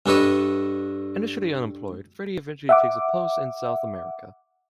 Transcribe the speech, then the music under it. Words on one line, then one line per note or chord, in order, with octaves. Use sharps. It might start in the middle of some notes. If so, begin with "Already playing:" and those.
Initially unemployed, Freddie eventually takes a post in South America.
G2 D4 A4 B4 C#5 D#5
E5 F#5 D6